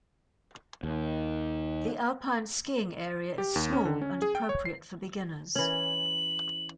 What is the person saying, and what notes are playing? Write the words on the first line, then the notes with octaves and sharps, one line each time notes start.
The alpine skiing area is small and appropriate for beginners.
D#2
G4
D#2
C#4
D3
C#4
G#4
G5
C#5
C7
E3 C#4 F#7